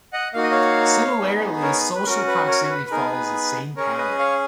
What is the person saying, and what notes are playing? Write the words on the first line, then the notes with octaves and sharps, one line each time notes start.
Similarly, "social" proximity follows the same pattern.
D#5 F#5
A#3 D#4 F#4 F5
D#5
C#5 F5
B3 D#4 G#4
A#4 C#5
B4
C#4 F#4 A#4
B4
A#4 C#5
C#5
B4
B4
B3 D#4 G#4 A#4
B4
C#4 G#4 A#4 C#5
B4 D#5
C#5 F5